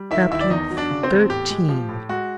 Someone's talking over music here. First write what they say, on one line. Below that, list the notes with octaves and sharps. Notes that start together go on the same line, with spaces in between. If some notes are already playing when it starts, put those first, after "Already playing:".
Chapter XIII.
Already playing: G3
D#3 E4 E5
D#2 E4 E5
D5
E2 D#4 D#5
F#3
D4 D5
C#3
C4 C5
E2
A2 G4
G#3
F3
A2
G#3 F#4